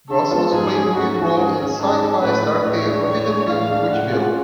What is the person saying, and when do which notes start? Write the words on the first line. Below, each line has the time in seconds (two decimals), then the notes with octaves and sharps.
Goss also played the lead role in Syfy's dark tale television film "Witchville".
0.09 D3 A4
0.31 F3 G#3 B3 F4
0.52 G#2 G#4
0.73 G#3 C#4
0.94 G#2 F#4
1.16 G#3 C#4
1.37 G#2 G#4
1.58 G#3 C#4
1.79 G#2 A4
2.00 G#3 C#4
2.21 A2 B4
2.43 G#3 D4
2.64 A2 C#5
2.85 G#3 D4
3.06 A2 C#5
3.27 G#3 D4
3.48 A2 F5
3.69 G#3 D4
3.90 A2 F#5
4.12 G#3 C#4 F4